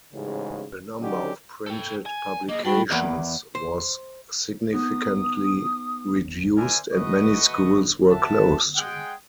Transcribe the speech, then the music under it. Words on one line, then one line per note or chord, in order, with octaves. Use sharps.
The number of printed publications was significantly reduced and many schools were closed.
A1 G#2 C#3
D3 F#3 C#4 D#4 G4
A4 G5
G#5
A#3 G#4 D#5
G3 D4 F#4 G5 B5
E2 E3 A#3 D#5
C5
B3 D#4 D#6
A#4 C5 D5 E5 G#5
A3 F#4 B4 D#5 C#6 D#6
A4 E5 F#5 A5
G#3 G#4 F#5 G5